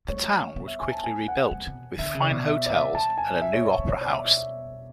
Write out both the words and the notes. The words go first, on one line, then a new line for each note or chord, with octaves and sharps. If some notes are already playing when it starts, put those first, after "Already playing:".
The town was quickly rebuilt with fine hotels and a new opera house.
A3 C#5
B3
E5
G#5
A5
G#5
F#5
A3
B2
D3 E5
C#3
D5
B2
E5
D5
E5
B2 A5
G#5
E5
C#5
C#5
B2 C#5
D5
E5
E5
E5